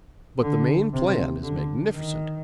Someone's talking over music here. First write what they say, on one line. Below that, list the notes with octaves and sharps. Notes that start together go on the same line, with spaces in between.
But the main plan is magnificent.
D3
C3
D3
D#3